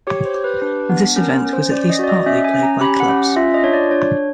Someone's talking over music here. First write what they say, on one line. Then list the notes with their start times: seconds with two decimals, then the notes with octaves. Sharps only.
This event was at least partly played by clubs.
0.07 G4 C#5
0.25 C5
0.35 G4
0.44 B4
0.62 D4 B4
0.90 B3
1.16 C#4 A#4
1.45 C#4
1.53 C5
1.71 C#4 D5
1.90 D#5
1.99 F#4 D5
2.08 D#5
2.26 C#4 E5
2.44 G#5
2.54 C#4
2.63 A#5
2.81 G4 B5
3.00 F#5
3.09 C#4
3.36 F4 E5
3.54 D#5
3.64 D4 C#5
3.73 D5
3.91 D4 C#5